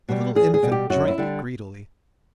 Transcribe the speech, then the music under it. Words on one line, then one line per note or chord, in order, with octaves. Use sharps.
The little infant drank greedily.
B2 G3
E2 G#4
G#4
B2 G3
G4
F#2 F#4
E4
D3 G3